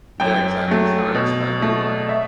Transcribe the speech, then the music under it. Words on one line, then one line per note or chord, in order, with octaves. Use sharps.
Yeah, exactly, it's kind of expected, but
F#2 G5
F#3 A3
B2
A3
E5